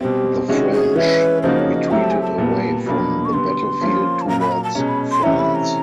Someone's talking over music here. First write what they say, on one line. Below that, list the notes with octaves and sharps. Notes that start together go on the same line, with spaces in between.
The French retreated away from the battle field towards France.
B2 G3 C4 G4
C3 D#3 G#3 C#4 F#4 G#4
G#4
E3 G#3 C#4 E4 B4
C#3 F3 A#3 D#4 F#4 C5
C#5
D#5
F#3 A3 C4 E4 G4 A#5
A5
G#5
A5
A#2 G3 B3
B2 F#3 A#3 D4 B5
C#6
D3 G3 B3 C6
F3 A#3 C#4 F4
A5
A#2 F#3 A#3 A#5
B5
A#5
A5
B2 G#3 C#4 A#5
B5
C6
C3 E3 A3 C#4 E4 A#5
B5
A#5